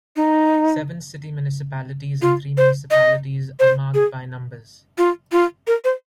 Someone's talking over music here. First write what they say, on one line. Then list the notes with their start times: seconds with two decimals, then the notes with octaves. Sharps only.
Seven city municipalities and three municipalities are marked by numbers.
0.16 D#4
2.22 F4
2.57 C5
2.91 D#5
3.60 C5
3.94 G#4
4.98 F4
5.32 F4
5.67 A#4
5.84 C5